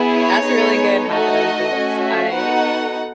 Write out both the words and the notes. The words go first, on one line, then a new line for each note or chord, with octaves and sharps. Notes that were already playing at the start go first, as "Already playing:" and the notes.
that's a really good habit I've built. I
Already playing: B3 E4 G#4
C#5
B3 D#4 G#4
A3 D#4 F#4 A4 D#5
A3 C#4 F#4
E5
B3 D#4 F#4 A4 F#5